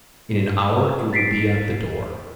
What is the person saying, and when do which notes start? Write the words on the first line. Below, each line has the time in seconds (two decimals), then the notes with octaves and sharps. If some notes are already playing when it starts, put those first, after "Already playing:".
"In an hour it will be at the door."
1.13 A6 B6 C7 D7